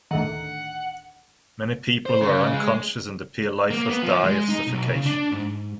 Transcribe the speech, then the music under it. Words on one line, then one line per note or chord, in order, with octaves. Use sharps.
Many people who are unconscious and appear lifeless die of suffocation.
D2 A2 D#3 F#5
C5
C#3
G#3
A#3
B3
F3
G#3
D#4
B1
C#3
D4
G#2